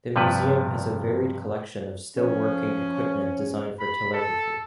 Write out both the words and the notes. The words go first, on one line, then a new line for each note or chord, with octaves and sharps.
The museum has a varied collection of still-working equipment designed for telegraphy.
G2 C3 F3 B4
F3 C#4
B5
A4